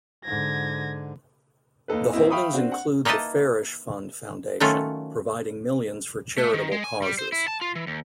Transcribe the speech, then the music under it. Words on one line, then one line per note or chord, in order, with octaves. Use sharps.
The holdings include the Farish Fund foundation, providing millions for charitable causes.
G#2 D3 G#6 A#6
D#2 D#4 A4 B4
A#1 A#3 C4 E4 D#5
E5 F5 G5 B5 C#6 D#6
C4 D4 F#4
F#5
A#3 D#4 E4 B4 D#5 A5
D#3 F#3 A3 C#4 F4
A3
D#3
G#3
G#5
G3
C5
E4
A5
F4
E3
D#2